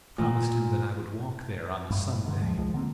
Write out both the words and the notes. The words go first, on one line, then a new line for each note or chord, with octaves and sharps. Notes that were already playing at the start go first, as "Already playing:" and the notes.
I promised him that I would walk there on a Sunday.
A#2
G2
G#2 D3
A1 D#2 F3 G#3
C2 F3 G#3
D3 A#3 C4